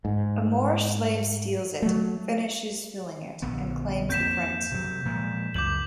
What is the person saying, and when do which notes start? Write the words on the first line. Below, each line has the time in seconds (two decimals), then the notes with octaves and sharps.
A Moorish slave steals it, finishes filling it, and claims the prince.
0.05 G#2
1.82 F#3 A3
3.42 A#1 D3 B3
4.10 F2 A#3 C4 G6 B6 E7
4.71 C3 F#3
5.05 A#2 F3 G#3
5.54 C#2 F#2 D6 G6 F#7